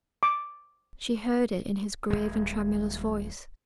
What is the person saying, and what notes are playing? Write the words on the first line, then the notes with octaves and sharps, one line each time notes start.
She heard it in his grave and tremulous voice.
D6
D#1 D#2 G#3